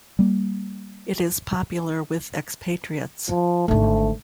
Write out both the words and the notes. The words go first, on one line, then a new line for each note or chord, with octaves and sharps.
It is popular with expatriates.
G3 A#3
F3
G#1 D3 A3